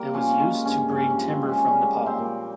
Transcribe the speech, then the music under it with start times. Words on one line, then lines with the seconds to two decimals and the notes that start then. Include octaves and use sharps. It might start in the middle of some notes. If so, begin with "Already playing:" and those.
It was used to bring timber from Nepal.
Already playing: G3 A#3 A#4
0.14 F3 C#4
0.40 G#3 C#4
0.65 G2 C#4
0.90 G2 C#4
1.10 C#4
1.17 F3
1.29 C4
1.42 G#3
1.49 C#4
1.68 G3 C#4
1.93 A#3
2.06 C4
2.19 A#2